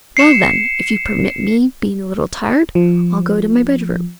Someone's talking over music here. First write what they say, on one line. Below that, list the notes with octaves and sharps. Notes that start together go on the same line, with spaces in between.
'Well, then, if you permit me, being a little tired, I'll go to my bed-room.'
C7 C#7 E7
F3